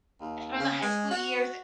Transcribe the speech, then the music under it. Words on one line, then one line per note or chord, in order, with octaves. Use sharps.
from the high school years
D#2
C#3
G#3
F#4